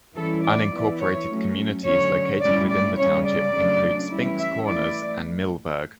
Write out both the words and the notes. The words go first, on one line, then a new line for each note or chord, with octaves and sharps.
Unincorporated communities located within the township include Spinks Corners and Millburg.
E3 G3 C#4 E4 A4
D5
E3 B3 E4
C#5
F#3 A3 C#4
D3 F#3 C#4 C#5
A2 G3 C#4 E4 D5
D5
C#3 G3 C#4 C#5
D5
C#3 F#3 A3 D4
E3 G3 C#4 E4
E5
E3 A3 E4 D5